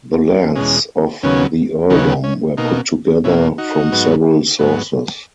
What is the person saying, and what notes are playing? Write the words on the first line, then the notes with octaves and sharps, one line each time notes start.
The lands of the earldom were put together from several sources.
E2 B2 G#3 C#4
D#2 C#3 F#3 B3 C#4
D#2 C#3 F#3 B3 D#4
C#4
B2 A#3 D#4
B2 A#3 C#4 E4
D#4 F#4
G#2 F#3 B3
G#2 F#3 B3